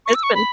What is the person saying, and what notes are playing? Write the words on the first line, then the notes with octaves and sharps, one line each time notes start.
It's been
C#6
E6
C#6
B5